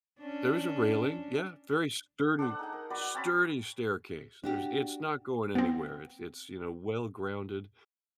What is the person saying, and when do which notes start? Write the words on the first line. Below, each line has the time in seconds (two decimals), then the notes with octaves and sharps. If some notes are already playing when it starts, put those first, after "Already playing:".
There was a railing, yeah, very sturdy, sturdy staircase, there's it's not going anywhere, it's it's, you know, well-grounded,
0.20 C#4 D4
2.39 D4 A4 C5 F#5
2.59 D#4 G#4 F#5
2.73 A#4
2.90 F#4 B4 D5
3.14 C4 C#4 A5 B5
4.43 D4 F#4 G4
5.55 B3 C4